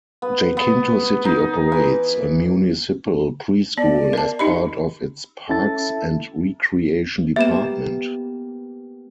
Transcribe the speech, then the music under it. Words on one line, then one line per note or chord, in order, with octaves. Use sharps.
Jacinto City operates a municipal preschool as part of its Parks and Recreation Department.
B3
B3
D#4
E3
B3 D5
A#4 A5
D#4 G4 D#5 B5
C#4 E4 A4 A6
A#3 B3 G4 E5 E7